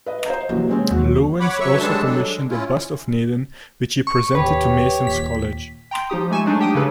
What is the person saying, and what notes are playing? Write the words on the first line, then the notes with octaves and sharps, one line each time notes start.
Lewins also commissioned a bust of Naden which he presented to Mason's College.
B4 D#5
C5 D#5 A#5
C3 E3 F#3 A#3
G#3 C4 C#4
D#2 F#3 F#4
C#5 F#5 B5 D6
F#3 B4 C#5 E5 C#6 E6
D3 G3 G#3 D4 A4 A5
F#3 G3 D4 A4
G#3
C#4 E4 F4
C#6
D1 D#2 G4 B4 C#5
D#2 A#2 B6
G5 A#5 C6
F3 D#4 G4 D#6
G#3 A3 G#5 C#6 E7
F#3 G#3 A3 D4 D#4
D4 G4 G5 D#6 D#7
C#3 G#4 A4 B4